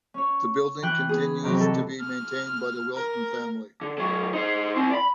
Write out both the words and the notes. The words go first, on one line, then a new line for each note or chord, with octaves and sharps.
The building continues to be maintained by the Wilson family.
C#4 C#5
E3 G5 F#6
B3 G#4
C3 D#3 E3 F#3 C4
G3 A4
F6
A#4
D3
D#3 F#3
D#4 C5
C4 E4
D5 B5